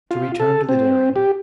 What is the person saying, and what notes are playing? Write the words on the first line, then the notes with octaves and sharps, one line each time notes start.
To return to the dairying.
F4
A4
C4
G4